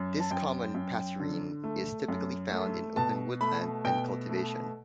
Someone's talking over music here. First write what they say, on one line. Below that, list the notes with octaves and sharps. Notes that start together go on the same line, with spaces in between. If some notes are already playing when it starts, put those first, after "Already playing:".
This common passerine is typically found in open woodland and cultivation.
Already playing: F#2
A5
F#2 G5
F#2
D3
A3
F#2
A3
B2 A5
A3 B5
B2 G5
A3